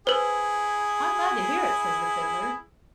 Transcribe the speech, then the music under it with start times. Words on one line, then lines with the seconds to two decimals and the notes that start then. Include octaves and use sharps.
"I am glad to hear it," says the Fiddler.
0.07 E4 G#4 B4 C5